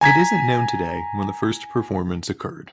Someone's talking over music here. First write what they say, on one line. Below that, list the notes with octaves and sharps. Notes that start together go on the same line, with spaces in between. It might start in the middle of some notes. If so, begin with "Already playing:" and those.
It isn't known today when the first performance occurred.
G#5 A#5 G#6 B6